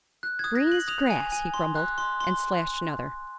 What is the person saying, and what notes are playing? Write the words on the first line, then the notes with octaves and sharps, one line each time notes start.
"Green's grass!" he grumbled, and slashed another.
F#6
D#6 G#6
A#6
F#6 F#7
D#6 F7
G#5
G#5
C6
F#6
C6
C6